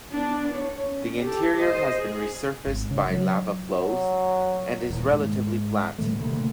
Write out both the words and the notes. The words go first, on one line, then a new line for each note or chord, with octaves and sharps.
The interior has been resurfaced by lava flows, and is relatively flat.
B3 D4
C#5
C#4
G4 A4
C5 D#5
G#4
G#1
C#3
F#3
F#3
D#1
G#2
A2 D#3 G3 A3
D2 C3 A3 A#3